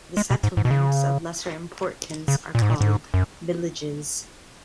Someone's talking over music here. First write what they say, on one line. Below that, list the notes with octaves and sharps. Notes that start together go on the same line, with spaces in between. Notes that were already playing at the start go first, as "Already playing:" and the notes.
The settlements of lesser importance are called "villages".
G#3
B2
G#2
G#2
B2
C#3
C#3
A#2
G#2
A#2
G#2
F#2